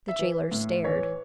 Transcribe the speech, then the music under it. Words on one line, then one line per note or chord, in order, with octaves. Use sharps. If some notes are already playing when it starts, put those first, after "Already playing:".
The jailer stared.
E5
E3
A2
E3 C#5